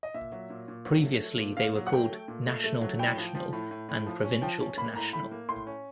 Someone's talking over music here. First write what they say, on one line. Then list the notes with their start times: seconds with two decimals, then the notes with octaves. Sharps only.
Previously they were called 'National to National' and 'Provincial to National'.
0.03 D#5
0.14 A#2 E5
0.32 F#3
0.50 A#2
0.68 A#2
0.85 F#3
1.03 A3
1.21 A3
1.39 A#2
1.57 A#2 F5
1.75 F#3
1.87 F#5
1.92 A3 G5
2.10 A3
2.28 A#2
2.46 A3
2.64 A3
2.81 F#3
2.99 A2 G5
3.17 F3
3.35 F3
3.53 A2
3.71 A2
3.89 A2
4.06 F3
4.24 C#4
4.42 F3 G5
4.60 C#4
4.77 A#3 B5
4.95 A2 A#5
5.13 A2 B5
5.31 A#3
5.49 A2 C6
5.67 C#4